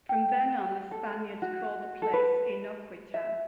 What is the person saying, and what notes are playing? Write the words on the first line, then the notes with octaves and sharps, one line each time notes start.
From then on, the Spaniards called the place "Inoquitan".
G5
A4
F#4
A4
B4
E5